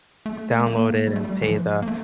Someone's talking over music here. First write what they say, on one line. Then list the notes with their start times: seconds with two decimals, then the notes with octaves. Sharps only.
download it and pay the
0.26 A3
0.60 A3
0.67 A#3
1.07 G3
1.16 A3
1.24 G3
1.42 E3
1.48 F3
1.82 A#3
1.88 A3